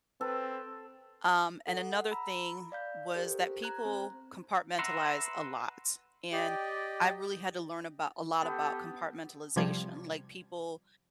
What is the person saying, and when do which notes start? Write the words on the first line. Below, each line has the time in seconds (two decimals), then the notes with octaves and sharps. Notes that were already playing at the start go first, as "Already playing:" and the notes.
Um, and another thing was that people compartmentalize a lot, and I've really had to learn about a lot about compartmentalization, like, people
0.21 C4 A4 B4
1.67 A4 F#5
2.11 A#5 B5 E6
2.72 D5 F5 G6
3.15 G4 A4 A#4 C5
3.62 A#5 F#6 G#6
3.85 C4 C5
4.79 B4 E5 F#5 A#5 C6
6.33 G4 D5 D#5 G5
8.43 B3 G4 A4
9.56 C3 F3 G3 G#6